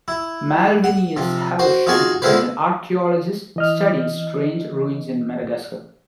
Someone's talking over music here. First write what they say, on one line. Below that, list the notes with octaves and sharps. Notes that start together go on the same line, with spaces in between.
Malvineous Havershim is an archaeologist studying strange ruins in Madagascar.
E4
F#5
C3 F3
F#4 C5
D#4 F4 F#4 G#4 A5 C#6
D3 G#3 E4 F4 B4 C5
E3 D#5 F6